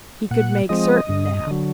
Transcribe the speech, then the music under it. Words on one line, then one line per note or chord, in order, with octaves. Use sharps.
He could make certain now.
A#2 F#5
F3 G#3 C4 D#5
G2
D3 F#3